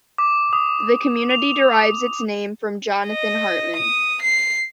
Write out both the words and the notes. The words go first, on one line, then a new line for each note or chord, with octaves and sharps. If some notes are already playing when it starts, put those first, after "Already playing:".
The community derives its name from Jonathan Hartman.
D6
D#6
F7
D#5
D#6
C7